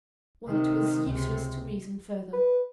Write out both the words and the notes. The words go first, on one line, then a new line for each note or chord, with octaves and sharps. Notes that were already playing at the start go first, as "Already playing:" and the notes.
Well, it was useless to reason further.
C3 D#3
C#2 C3
B4